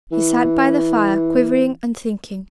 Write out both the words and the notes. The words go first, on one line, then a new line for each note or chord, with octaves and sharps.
He sat by the fire quivering and thinking.
E3